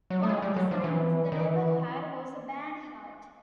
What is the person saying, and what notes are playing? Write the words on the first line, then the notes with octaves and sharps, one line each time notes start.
One of the signings the label had was the band Heart.
F#3
A3
G#3
G3
F#3
F3
E3
D#3
E3